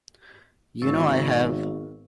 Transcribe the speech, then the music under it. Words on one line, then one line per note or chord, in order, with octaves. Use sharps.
You know I have.
G#1 B3